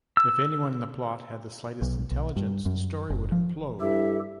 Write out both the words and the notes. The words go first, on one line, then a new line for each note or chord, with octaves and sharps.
If anyone in the plot had the slightest intelligence, the story would implode.
E6
B1
B1
G2
F#2
F#1
F3
G2 E4 G4 A4 E5